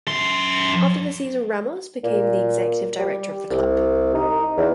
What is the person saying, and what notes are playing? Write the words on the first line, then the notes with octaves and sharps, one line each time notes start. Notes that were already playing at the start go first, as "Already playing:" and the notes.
After the season, Ramos became the executive director of the club.
F#2 C6
A#2
G3
C2
D#4
E2